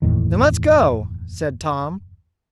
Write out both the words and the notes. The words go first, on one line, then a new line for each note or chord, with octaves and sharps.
"Then let's go," said Tom.
F#1 E2 A2 D#3